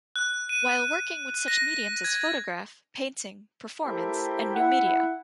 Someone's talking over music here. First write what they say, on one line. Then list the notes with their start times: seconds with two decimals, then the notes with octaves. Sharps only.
While working with such mediums as photograph, painting, performance and new media.
0.16 F#6
0.49 D#7
1.48 A#6
2.04 G#6
3.84 A3 E4 G4 A#4 C5 G5
4.55 E4 F#5